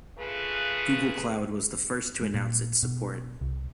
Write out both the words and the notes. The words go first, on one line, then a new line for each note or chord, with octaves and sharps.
Google Cloud was the first to announce its support.
C#3 A3 F4 G#4 B4
G#3
A#2
B2
C2